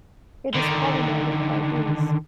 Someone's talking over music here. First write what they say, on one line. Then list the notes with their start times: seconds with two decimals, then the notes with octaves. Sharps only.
It is pollinated by bees.
0.55 D3 D#3